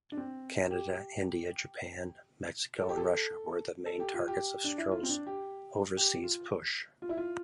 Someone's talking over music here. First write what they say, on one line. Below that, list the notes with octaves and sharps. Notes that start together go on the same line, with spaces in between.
Canada, India, Japan, Mexico, and Russia were the main targets of Stroh's overseas push.
D4
C4
G4
A4
G4
A4
A4
G4
F4
G4
D4
E4
F4
C4
D4
G4
G4
F4
F4
E4
F4